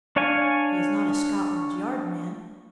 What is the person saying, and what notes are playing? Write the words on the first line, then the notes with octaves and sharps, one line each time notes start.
He is not a Scotland Yard man.
D4 C#5 F5 G#5